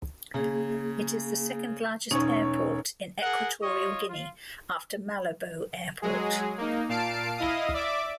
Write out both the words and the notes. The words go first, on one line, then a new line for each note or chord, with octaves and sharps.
It is the second largest airport in Equatorial Guinea, after Malabo Airport.
C#3 A#3 G#4
E1 C#4 D#4 C#5 C#6
G#4 A#4 F#5
F4 C#5 D#5 C#6
F4
F#3 G#3 G#4
A#3 D#4
A#2 F5 A5 C7 D7
E4 D#5 F5 D#6
D5 E5 D6